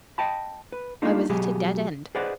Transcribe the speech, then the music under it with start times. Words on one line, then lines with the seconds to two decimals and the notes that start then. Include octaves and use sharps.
I was at a dead end.
0.18 D#5 G5 A5 B5
0.72 B4
1.02 A3 A#3 D4 D#4 F4 A4
1.29 B2 F#3 G4 G#4
2.15 G#4 B4 C5 D5 D#5 F#5